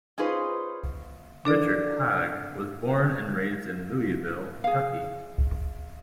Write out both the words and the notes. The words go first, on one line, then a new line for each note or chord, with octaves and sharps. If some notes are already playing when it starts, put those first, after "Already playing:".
Richard Haag was born and raised in Louisville, Kentucky.
C#4 D#4 F4 G#4 B4 C5
D4 A4 D5
G#4 F5